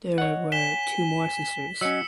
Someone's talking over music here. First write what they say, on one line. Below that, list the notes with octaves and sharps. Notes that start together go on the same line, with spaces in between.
There were two more sisters.
C#5 D#5 F#5
G#5 B6 E7 G7
F#3 C#4 D#5 E6 C#7